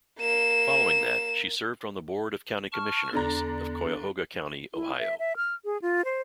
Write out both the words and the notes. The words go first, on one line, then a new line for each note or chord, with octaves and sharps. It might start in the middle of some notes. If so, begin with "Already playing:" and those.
Following that, she served on the Board of County Commissioners of Cuyahoga County, Ohio.
A#3 E7
A5 C#6 F6
E2 D3 D4 A#5
E4
E5
E5
F6
G#4
F4
C5